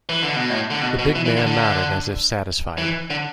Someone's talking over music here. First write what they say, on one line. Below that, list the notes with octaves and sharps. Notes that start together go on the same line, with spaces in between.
The big man nodded as if satisfied.
E3
D3
B2
A2
D3
B2
B2
E3
E3
D3
D3
E3
D3